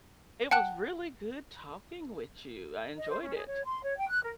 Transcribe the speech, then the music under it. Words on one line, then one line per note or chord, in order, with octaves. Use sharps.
It was really good talking with you, I enjoyed it.
F#5 G5 A5 F#6
D#5
C5
C#4
G#4
C#5
C6
C#5
G5
F#6
A#4